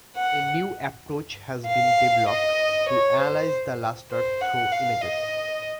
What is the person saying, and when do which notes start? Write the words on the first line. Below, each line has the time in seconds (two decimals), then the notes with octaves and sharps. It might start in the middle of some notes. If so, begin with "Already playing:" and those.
A new approach has been developed to analyze the luster through images.
0.16 F#5
1.67 F5
2.28 D#5
2.89 C#5
3.20 C5
4.11 C5
4.41 F#5
4.71 F5
5.01 D#5